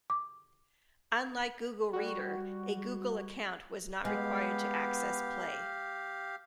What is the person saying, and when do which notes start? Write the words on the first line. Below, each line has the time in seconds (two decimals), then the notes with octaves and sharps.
Unlike Google Reader, a Google Account was not required to access Play.
0.10 D6
1.93 G3 F#4
4.05 G#3 B3 G4 F5